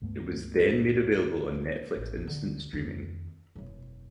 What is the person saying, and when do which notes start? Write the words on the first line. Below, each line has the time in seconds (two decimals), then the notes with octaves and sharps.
It was then made available on Netflix Instant Streaming.
0.02 C#2 G2 A3 B3
1.54 A#3 D#4
1.97 A1
2.27 D2 D3
2.73 F2 D#3
3.55 E1 F#2